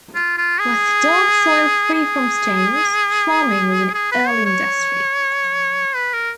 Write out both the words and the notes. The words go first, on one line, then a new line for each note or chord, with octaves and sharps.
With dark soil free from stones, farming was an early industry.
F4
F4
G#4
G#4
G#4
B4
C#5
C#5
B4
A#4